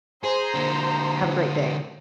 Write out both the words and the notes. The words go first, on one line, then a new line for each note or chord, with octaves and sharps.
have a great day.
G#4 C5 A#5
D3 A#3